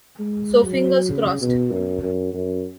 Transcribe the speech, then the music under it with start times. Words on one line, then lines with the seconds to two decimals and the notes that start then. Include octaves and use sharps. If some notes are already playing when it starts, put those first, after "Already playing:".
So fingers crossed.
0.19 G#3
0.65 F#3
1.10 C#3
1.41 B2
1.71 F#2
2.02 F#2
2.33 F#2